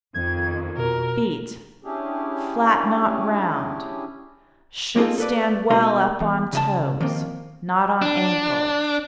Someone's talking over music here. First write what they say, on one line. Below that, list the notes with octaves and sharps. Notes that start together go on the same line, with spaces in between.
FEET--Flat, not round; should stand well up on toes, not on ankles.
F2 D#3 G#6
B2 A#4
C#4 D4 E4 G4 G#4
A#3 C4 D#4 F4 G#4 A4
A4 B4 D5
B2 G#3 D#4 A#4 D#5 C6
E2
C#3 D#5 A5
D#3 F3 A#3 C4
D4